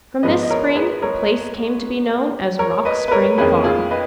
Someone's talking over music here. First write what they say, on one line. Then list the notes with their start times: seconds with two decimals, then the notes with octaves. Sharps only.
From this spring the place came to be known as "Rock Spring Farm."
0.23 G#2 F3 G#3 B3 B4 D#5
0.43 D#5
0.50 A#4 C#5
0.75 G#4 B4
1.02 A#4 C#5
2.59 A#4 C#5
2.85 B4 D#5
3.08 B4
3.11 A#4 C#5
3.38 F2 D#3 A#3 C#4 G#4 B4
3.64 F4 G#4
3.91 B4 D#5